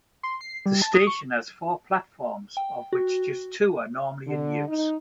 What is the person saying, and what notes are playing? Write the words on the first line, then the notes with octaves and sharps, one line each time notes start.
The station has four platforms, of which just two are normally in use.
C6
C7
G3
A5
D#6
C#6
G5
F#4
D3
D#4